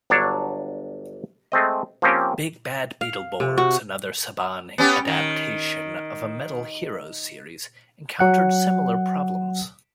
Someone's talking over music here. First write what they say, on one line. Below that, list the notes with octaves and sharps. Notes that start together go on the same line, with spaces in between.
"Big Bad Beetleborgs", another Saban adaptation of a Metal Heroes series, encountered similar problems.
G1 F#3 D4 C#5 A5
G#3 A3 C4 D#5
F3 A#3 C4 C#4 G4
F5
C3
F#4
B3 C#4 G4
D#3
F#3 F#5 F#6